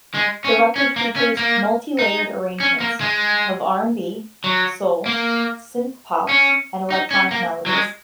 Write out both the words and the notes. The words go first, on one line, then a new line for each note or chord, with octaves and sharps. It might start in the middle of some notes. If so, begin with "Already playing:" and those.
The record features multilayered arrangements of R and B, soul, synthpop, and electronic melodies.
G#3
C#4
C#4
A#3
C#4
A#3
D#4
C#4
A#3
G#3
F#3
A#3
C#4
D#4
C#4
A#3
F#3
G#3